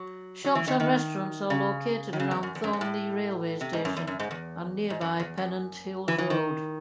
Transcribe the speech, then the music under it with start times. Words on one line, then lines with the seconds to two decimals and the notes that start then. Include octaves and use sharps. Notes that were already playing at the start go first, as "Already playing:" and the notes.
Shops and restaurants are located around Thornleigh railway station and nearby Pennant Hills Road.
Already playing: F#3
0.44 F#3
0.55 E3
0.67 D#3
0.80 D#3
1.50 C#3
2.13 D#3
2.20 C#3
2.31 E2
2.43 F#2
2.55 E2
2.64 F#2
2.73 G#2
2.81 A2
3.61 C3
3.73 G#2
3.85 F#2
3.97 E2
4.07 F#2
4.19 G#2
4.31 E2
4.90 G#2
5.01 F#2
5.20 E2
5.37 F#2
6.08 E3
6.18 E3
6.30 D#3